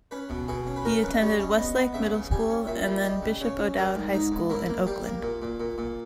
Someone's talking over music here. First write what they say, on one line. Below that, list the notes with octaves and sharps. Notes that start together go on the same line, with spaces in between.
He attended Westlake Middle School and then Bishop O'Dowd High School in Oakland.
C#4 B4
B2
B2 G#4
C#4
B4
C#3 A#4
C#3 B4
D#5
G3 C#5
C#4 D#5
B3 D#5
B3
C#3 E5
C#3
G3 G#5
C#4
A#2 E5
G3
G3 D#5
C#3
C#3 C#5
C#4
G3 A#4
G#2
G#2 D#4
G#2
A#3 E4
A#3
G3 G4
A#3
A#2
A#2
A#2
A#2